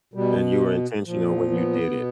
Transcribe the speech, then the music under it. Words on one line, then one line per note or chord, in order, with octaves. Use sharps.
And you were intentional when you did it.
B2 G3
A#2 F3
B3
B2